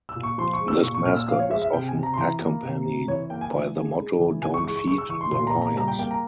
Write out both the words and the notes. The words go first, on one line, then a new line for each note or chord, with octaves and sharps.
This mascot was often accompanied by the motto Don't feed the lawyers.
E6
A#2
C#6
F3 C6
C#6
G#3
E6
A#2 C#6
C#6
A#2 F6
E6
F3 F5
C#5
G#3 E5
E5
C3 G5
G#5
C3
A#5
C6
E3 A#5
A#3
C3
C3
E3 C#5
A#3 G5
G#5
E3
G#3
G#3
E3
E3 G#5
C#6
G#3 C#6
C#6
G#3 C#6
E6
E3 C#6
C6
A#2 C6
A#5
A#2
A#5
G3 A#5
G5
A#3 G5
A#5